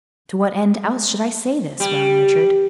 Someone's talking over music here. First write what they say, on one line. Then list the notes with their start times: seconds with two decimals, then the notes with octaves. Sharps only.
"To what end, else, should I say this?" went on Richard.
1.80 G3